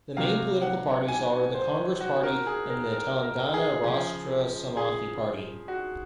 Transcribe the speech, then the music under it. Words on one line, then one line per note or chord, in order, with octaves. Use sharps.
The main political parties are the Congress Party and the Telangana Rastra Samathi Party.
C3 F#3 F5
F#5
G#5
C5
F#4
A#4
G#4
A#4
A#4
A#4
G#4
C#3 F3 G#4
G#4
F#4